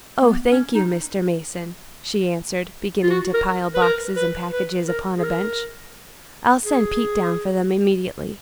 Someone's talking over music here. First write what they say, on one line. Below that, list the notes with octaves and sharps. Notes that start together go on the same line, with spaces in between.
"Oh, thank you, Mr. Mason," she answered, beginning to pile boxes and packages upon a bench, I'll send Pete down for them immediately.
A#3
B3
C#4
D#4
F4
F#4
A#4
B4
A#4
B4
B4
A#4
G#4
A#4
G#4